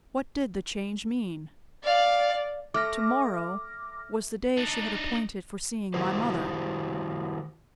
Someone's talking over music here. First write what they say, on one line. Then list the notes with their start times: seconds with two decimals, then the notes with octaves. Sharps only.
What did the change mean? "To-morrow" was the day she had appointed for seeing my mother.
1.84 D5 F5
2.74 A3 D6 F6 A#6
4.57 D4 D#4
5.94 D#3 E4 F#4 G4 C5